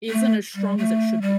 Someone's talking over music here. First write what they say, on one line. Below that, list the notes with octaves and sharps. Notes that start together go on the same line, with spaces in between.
isn't as strong as it should be.
A3
G3
A3
G3